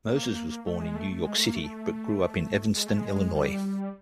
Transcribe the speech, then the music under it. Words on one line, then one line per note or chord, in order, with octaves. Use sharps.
Moses was born in New York City but grew up in Evanston, Illinois.
A#3
A3
G#3
A3
A3
G#3
A3
A#3
A3
G#3
A3
G#3
G3